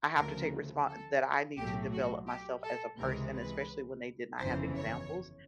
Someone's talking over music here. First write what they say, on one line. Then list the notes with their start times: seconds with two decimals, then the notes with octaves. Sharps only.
"I have to take respon that I need to develop myself as a person," especially when they did not have examples
0.16 D2 C#3 F3 A3 A#4
0.87 A4
1.57 B1 A2 F#3 A3 G4
1.93 F#4
2.27 G4
2.63 A4
2.98 C#2 C3 E3 G#3 A#4
3.33 B4
4.39 G1 F2 C#3 E3 C5
4.75 C#5